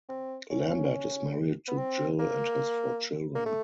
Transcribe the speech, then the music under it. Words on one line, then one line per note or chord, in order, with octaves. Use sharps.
Lambert is married to Jill and has four children.
C4
C#4
B3
C4
A#3
A#3
A3